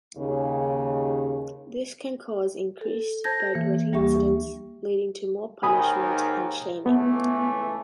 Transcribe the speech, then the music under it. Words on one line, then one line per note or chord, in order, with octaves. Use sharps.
This can cause increased bedwetting incidents, leading to more punishment and shaming.
D#2 C#3
A4
C5 A5 G6 G#6 A#6
E3 A#3
D2 G3 A#3 G4 E5 C#6
D#2 G#2 D#3 G#5 B5 D#6
C#2 E3 A3 B3